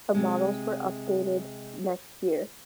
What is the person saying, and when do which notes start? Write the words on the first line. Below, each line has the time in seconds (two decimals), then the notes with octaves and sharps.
The models were updated next year.
0.14 C3 G#3